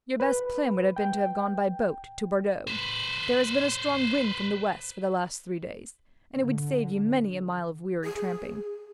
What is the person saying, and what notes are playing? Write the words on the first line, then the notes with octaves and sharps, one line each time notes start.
"Your best plan would have been to have gone by boat to Bordeaux. There has been a strong wind from the west, for the last three days, and it would save you many a mile of weary tramping."
B4
G5
B4 C5
D3
G#4